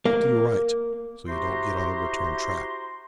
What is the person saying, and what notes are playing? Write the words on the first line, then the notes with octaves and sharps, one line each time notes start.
Keep to your right so you don't get on the return track.
A#3
E4 F#4 G4 C5 A#5 C6